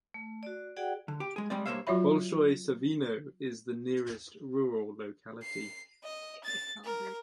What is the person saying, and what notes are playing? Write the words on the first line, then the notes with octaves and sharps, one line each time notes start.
Bolshoye Savino is the nearest rural locality.
A3
F#4 D5
F#4 G#4 D5 F#5 G5
D3
G4
G#3 G#4
G3 G#3 C4 D5
G2 A#3 C5 C#5 E5 F5
F#3 F4 F#4 C#5 E5 B5
C7
D#5
A6
A#4